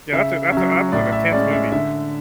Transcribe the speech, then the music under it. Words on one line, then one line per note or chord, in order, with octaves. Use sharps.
Yeah. That's a that's a that was an intense movie.
C#3 E5
F#3 C#4 E5
A2 D5
E5
G#3 C#4 D5
E5
D3 E5